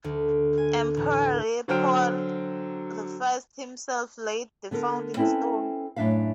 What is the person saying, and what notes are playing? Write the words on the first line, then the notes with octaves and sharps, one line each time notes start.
Emperor Leopold the First himself laid the founding stone.
D2
G#5
A1
D3 F#3 C5 G5 F6 D7
D3 B3 A4 A#4
C4 C#4 E4 G4 A4 B4
F#2 A2 F3 D4 E5 F5